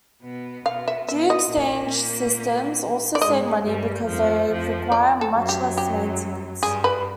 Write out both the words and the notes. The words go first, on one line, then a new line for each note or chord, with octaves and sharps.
Geo-exchange systems also save money because they require much less maintenance.
B2 B3
B2 B3 F5
E5
B2 B3 E5
D#5
A#2 A#3
D5
G#2 G#3 D#5
G2 G3
F2 F3
F2 F3
D5
A4
F#2 F#3
G4
G4
G2 G3 G#4
B4